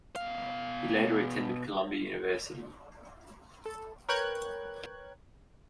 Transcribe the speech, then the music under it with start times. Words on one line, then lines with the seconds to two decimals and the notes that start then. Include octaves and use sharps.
He later attended Columbia University.
0.16 B2 F5
3.66 A4
4.09 A#4 B4 C#5 G5 F#6 G#6